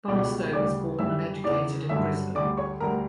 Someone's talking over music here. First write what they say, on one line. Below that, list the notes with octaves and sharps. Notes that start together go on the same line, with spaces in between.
Barstow was born and educated in Brisbane.
C#2 B2 G3 D5 D6
D2 C#3 G3 D5 D6
F#2 E3 G3 E5 E6
E2 C#3 E3 D5 D6
G2 D3 F#3 E5 E6
D2 D3 G3 D5 D6
C#5 C#6
D2 D3 G3 A#4 A#5